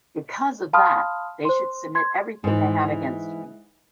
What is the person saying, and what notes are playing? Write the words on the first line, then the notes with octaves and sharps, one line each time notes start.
Because of that, they should submit everything they have against me.
F5 A5 B5 C6 D#6 F6
C5 C6
C6 G#6
G#2 E3